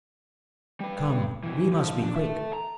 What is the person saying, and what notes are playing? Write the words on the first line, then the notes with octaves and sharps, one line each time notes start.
Come, we must be quick!
G3 B4
C2 E3
F3
D4
A4 E5
A#5